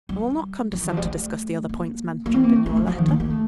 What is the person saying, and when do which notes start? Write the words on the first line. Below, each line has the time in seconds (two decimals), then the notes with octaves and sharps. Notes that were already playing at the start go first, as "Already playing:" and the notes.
I will not condescend to discuss the other points mentioned in your letter.
0.09 G3
0.73 F3
0.81 D#3
0.89 F3
0.97 G3
1.04 A3
1.69 A#3
2.26 A#3
2.34 C4
2.44 A#3
2.56 A3
2.66 A3
2.77 D#3
2.87 F3
2.98 D#3
3.08 A#3
3.20 A#3
3.30 A3